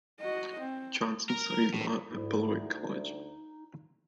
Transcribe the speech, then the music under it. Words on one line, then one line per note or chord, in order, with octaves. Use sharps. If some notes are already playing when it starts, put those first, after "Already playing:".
Johnson studied law at Beloit College.
F#4 D#5
C4
A#4
A2
D2 G#2 E4
D#4